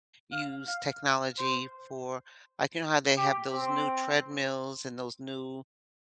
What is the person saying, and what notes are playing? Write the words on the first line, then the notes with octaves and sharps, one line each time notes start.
use technology for like, you know how they have those new treadmills, and those new,
F5
F5
C5
G4
C4